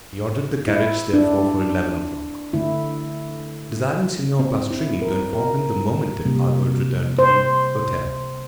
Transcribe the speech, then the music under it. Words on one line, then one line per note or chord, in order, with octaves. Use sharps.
He ordered the carriage, therefore, for eleven o'clock, desiring Signor Pastrini to inform him the moment that Albert returned to the hotel.
E4
D4
D3 A3 E4
C4
E4
A#4
A#4
C3 G3 A#3
C5